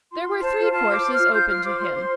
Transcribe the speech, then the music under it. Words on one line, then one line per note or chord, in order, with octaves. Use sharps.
There were three courses open to him.
F4 C6
F4
C6
C5 A5
F4
F4 A5
C5 D6
C5
F4 F6
F4 G6
F4 F6
C5 D6
F4 C6
C5